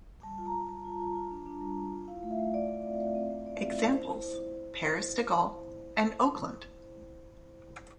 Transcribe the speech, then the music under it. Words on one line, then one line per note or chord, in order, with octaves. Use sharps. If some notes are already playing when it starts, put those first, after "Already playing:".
Examples: Paris-de Gaulle and Oakland.
G3 A5
F4
A#5
G3
G3 A5
F4
F4
F4
D4
D4
G3
D4
F4
E4 F5
A3
E5
A3
A3 D5
A3
C4
A3
C4
A3
A3 D5
C4
E4
E4 C5